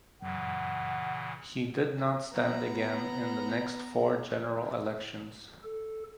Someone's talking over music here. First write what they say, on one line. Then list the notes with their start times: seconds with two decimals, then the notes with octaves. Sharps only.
He did not stand again in the next four general elections.
0.22 F#2 A#2 C#3 E3 F#5
2.33 B3 A#5
5.64 A4